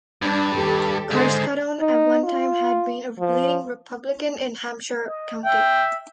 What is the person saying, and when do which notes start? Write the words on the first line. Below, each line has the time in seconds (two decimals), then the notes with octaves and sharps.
Carskadon at one time had been a leading Republican in Hampshire County.
0.22 G2 D4
0.54 D#2 G4 A4
1.11 G#2 D3 G#4 C5
1.80 D#4
2.24 F4
3.20 F3
5.08 D#5
5.45 E5 G5